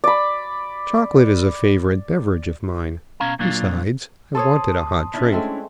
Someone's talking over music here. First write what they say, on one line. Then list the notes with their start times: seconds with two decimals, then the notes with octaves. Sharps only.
Chocolate is a favorite beverage of mine; besides, I wanted a hot drink.
0.04 D5 B5
3.20 B2 C#4 F5 A#5
3.39 A#2 F#3 A#3 D4 F4
4.35 A4 C5 C#5 A5 C6 D#6
5.14 C#4 D4 E4
5.32 G#3 A3 C4